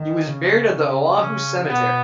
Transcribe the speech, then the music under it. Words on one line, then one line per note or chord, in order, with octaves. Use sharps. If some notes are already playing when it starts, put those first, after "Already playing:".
He was buried at the Oahu Cemetery.
Already playing: D#3
C#3 C#4
C#3
C#3 C#4
B2 B3